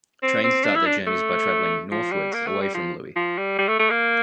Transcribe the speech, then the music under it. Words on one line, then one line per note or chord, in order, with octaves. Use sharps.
Trains start their journey by travelling "northwards", away from Looe.
C4
C4
D4
E4
D4
A3
F3
G3
A#3
A3
G3
F3
F3
G3
G3
A3
A3
A#3